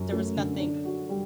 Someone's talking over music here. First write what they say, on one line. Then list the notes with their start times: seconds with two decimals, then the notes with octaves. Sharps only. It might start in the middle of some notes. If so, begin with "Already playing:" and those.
there was nothing,
Already playing: F#2 F#3
0.12 A3
0.36 D3
0.60 D4
0.85 F#4
1.09 G3